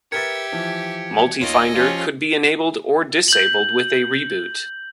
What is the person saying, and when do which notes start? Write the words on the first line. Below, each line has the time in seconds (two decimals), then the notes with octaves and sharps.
MultiFinder could be enabled or disabled, with a reboot.
0.12 G4 A#4 B4 E5 G#6 A6 C#7
0.52 E3 F3
1.41 D#2 F4 A4 C#5 D#5 D7
1.73 F3 C#4 F4 G4 F5
3.28 G6 F#7